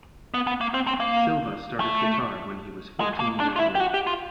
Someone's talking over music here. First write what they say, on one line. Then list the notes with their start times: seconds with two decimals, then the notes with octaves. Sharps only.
Silva started guitar when he was fourteen years old.
0.34 B3
0.47 B3
0.61 A#3
0.74 C4
0.87 C4
1.00 A#3
1.80 A3
3.00 G#3
3.20 A#3
3.40 D4
3.56 F4
3.59 E4
3.75 G4
3.80 F#4
3.94 G4
4.07 F4